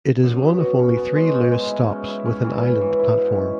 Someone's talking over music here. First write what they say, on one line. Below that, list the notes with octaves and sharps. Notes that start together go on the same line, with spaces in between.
It is one of only three Luas stops with an island platform.
F#2
B3
F#4
C#4
B3
G#3
G#2
G#3
E4
C#4
E4
C#4
E3
E4
E3
E4
G#2
C#4